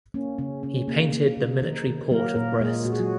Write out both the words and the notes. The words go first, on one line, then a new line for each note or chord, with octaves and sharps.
He painted the military port of Brest.
A#3 C#4
C#3 C#4
C#3 C#4
A#3
A#3
C#3
D#3 D#4
D#3
F#3 A#3 A#4
A#2 A#3 A#4
A#2 G#3 G#4
A#2 F#4
G#4
F#3 F#4